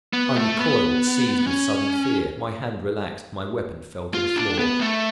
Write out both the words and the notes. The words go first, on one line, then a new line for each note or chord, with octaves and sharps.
I recoiled, seized with sudden fear; my hand relaxed, my weapon fell to the floor.
B3
A3
B3
C#4
F4
D4
B3
A3